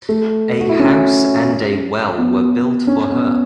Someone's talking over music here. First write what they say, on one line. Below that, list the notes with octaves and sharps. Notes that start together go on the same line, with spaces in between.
A house and a well were built for her.
A3
F#4
E4
C#4
B3
C#4
B3